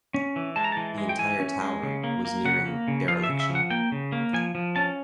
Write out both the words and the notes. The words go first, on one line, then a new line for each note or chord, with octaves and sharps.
The entire tower was nearing dereliction.
C#4
E3
G#3 A5
A#5
E3 A5
G#3
G5
E3 G#5
C#4
G#3
C#3
A#3
A#3
C#3 F#5
A#3
C#3
F3 F5
E5
C#3
E5
F3
F#5
A#3 G5
C#3
A#3
F3 G#5
F3
C#4 A5